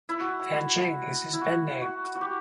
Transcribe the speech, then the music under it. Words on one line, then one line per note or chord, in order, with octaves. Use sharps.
Fancheng is his Pen name.
E4
F#4
E4
F#4
F#4
F#4
G4